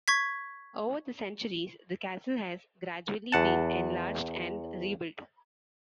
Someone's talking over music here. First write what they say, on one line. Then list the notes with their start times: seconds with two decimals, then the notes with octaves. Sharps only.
Over the centuries, the castle has gradually been enlarged and rebuilt.
0.08 C#6 G#6 B6
3.32 E2 F#5 A5